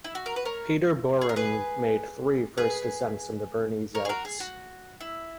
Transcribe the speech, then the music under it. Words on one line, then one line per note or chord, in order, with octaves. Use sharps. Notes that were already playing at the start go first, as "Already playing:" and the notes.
Peter Bohren made three first ascents in the Bernese Alps.
E4
F#4
A#4
B4
A#4 C#5
G#4
A#4
G#4 B4
G#4 B4
A#4 C#5
G#4
F#4 A#4
G#4
F#4
E4